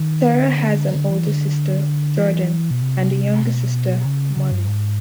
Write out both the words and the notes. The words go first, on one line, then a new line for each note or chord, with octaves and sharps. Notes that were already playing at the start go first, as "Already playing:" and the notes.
Cera has an older sister, Jordan, and a younger sister, Molly.
Already playing: D#3
D3
D3
E3
D3
E3
B2
C3
B2
C#3
C#3
G2
G#2